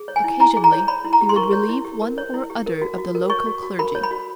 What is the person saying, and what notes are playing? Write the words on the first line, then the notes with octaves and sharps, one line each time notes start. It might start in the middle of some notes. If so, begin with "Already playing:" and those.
Occasionally he would relieve one or other of the local clergy.
Already playing: G#4
C#5
G#5
E4
E4 A#5
G#4
A#5
C#5
C#5 B5
E4
A#5
G4
C6
A#4 C#6
C#5
E4
G4
A#4
C#5
E4
G4
A#4
F#4
F#4
A#4
C#5 C#6
F#4
F#4
A#4 B5
C#5
B5
F#4